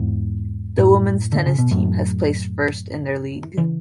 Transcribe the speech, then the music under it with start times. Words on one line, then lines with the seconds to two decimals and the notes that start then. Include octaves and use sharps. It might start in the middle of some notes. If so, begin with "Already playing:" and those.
The women's tennis team has placed first in their league.
Already playing: E2 G#2
0.78 F#2 A2
1.32 D3
1.46 C#3
1.58 B2
1.71 F#2 A2
3.57 C#3 E3